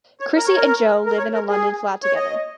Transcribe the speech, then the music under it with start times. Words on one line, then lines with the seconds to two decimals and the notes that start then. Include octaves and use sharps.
Chrissy and Jo live in a London flat together.
0.20 C#5
0.36 A#4
0.47 C#5
0.56 A#4
1.06 A#4
1.18 C#5
1.34 A#4
1.50 G#4
2.03 C#5
2.15 D#5